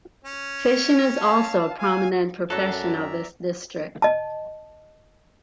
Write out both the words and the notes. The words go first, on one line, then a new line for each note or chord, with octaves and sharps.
Fishing is also a prominent profession of this district.
C#4
F5 A5
F5 G#5
F#2 F#3 F#4 A4 D5 E5 A#5
D#5 A5